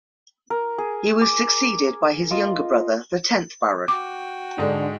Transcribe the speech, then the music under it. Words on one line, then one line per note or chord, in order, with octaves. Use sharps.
He was succeeded by his younger brother, the tenth Baron.
A#4
G#4
D6
F4 D#5
F#4 G5 D6
G#2 D3 G#3 D4